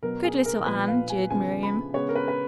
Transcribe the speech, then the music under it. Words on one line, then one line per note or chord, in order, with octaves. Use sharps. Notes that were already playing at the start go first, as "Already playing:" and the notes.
"Good little Anne," jeered Miriam.
B2 F#3 B3 A#4
G#4
A#4
A#2 F3 B3 B4
F5
G#5
C#3 F3 B3 G#5
B5
C#3 G#3 B3 C#5
A#4
B4
B4